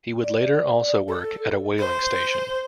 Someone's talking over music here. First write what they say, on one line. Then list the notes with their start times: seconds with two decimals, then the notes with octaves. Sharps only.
He would later also work at a whaling station.
0.24 D5
1.08 A4
1.79 C5